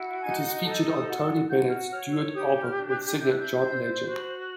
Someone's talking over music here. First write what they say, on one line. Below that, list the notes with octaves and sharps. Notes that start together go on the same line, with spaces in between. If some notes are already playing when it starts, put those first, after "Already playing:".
It is featured on Tony Bennett's Duet album with singer John Legend.
Already playing: E4 F#4
D#4 G#5
A4 A5
D#6
F#4
E6
F#4 G6
F6
C#5 F6
E6
G4 D#6
F6
D4
F#6
E4 G6
F#6
G6
C5
F#4